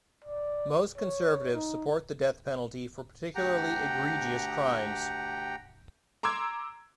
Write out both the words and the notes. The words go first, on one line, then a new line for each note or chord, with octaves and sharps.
Most conservatives support the death penalty for particularly egregious crimes.
D5
C#5
D#4
D2 G4 F#5 G5 A#5
A#5 C6 D6 E6 G#6